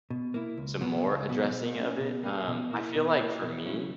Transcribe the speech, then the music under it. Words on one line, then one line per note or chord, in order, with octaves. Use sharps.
some more addressing of it. Um, I feel like for me,
B2
A#3 E4
C#2
B2 F#3 B3
C#2
B2 F#3 B3
B2
A#3 C#4
B2
A#3 C#4
B2
A#3 E4
B2
A#3 E4
B2
F#3 C#4 E4